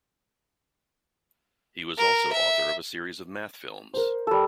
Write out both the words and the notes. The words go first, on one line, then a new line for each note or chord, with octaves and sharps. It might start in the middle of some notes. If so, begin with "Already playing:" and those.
He was also author of a series of math films.
A#4
E5
A#4 C5
G3 A4